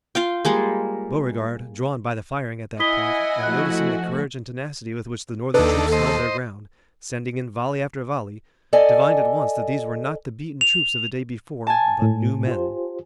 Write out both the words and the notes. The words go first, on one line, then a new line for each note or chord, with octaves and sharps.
Beauregard, drawn by the firing at that point, and noticing the courage and tenacity with which the Northern troops held their ground, sending in volley after volley, divined at once that these were not the beaten troops of the day before, but new men.
F4 F5 G5
G3 G#3 A#3
E4 D#5 F#5 G#5 D#6 B6 G7
F3 A3 F#4 F#6
D#2 D4 D#4 A4 B4
C5 D#5
A4 D5 D#5 G#5
F7
G#5 A5
A2
F4 G4 C5